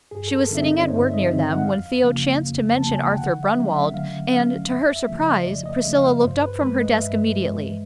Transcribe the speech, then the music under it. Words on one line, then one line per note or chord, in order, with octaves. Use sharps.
She was sitting at work near them, when Theo chanced to mention Arthur Brunwalde, and, to her surprise, Priscilla looked up from her desk immediately.
G2 G#4
A4
A#4
D3 G3 C4 D#4 E5
D#5
D5
C#5
G2 C5
E5
D#5
D3 G3 C4 D#4
D#5
F#5
F2 F5
C#3 F3 A#3
F2
C#3 F3 A#3 A5
G#5
G5
D3 F#5
E5
F#3 A3 C#4
E5
D3 F5
F#3 A3 C#4 F5
F2 E5
E5
C#3 F3 A3
D#5
F2 D5
D#5
E5
C#3 F3 A3
F5
G2 C5
B4
E3 G#3 B4
D#5
G2 E5
E3 G#3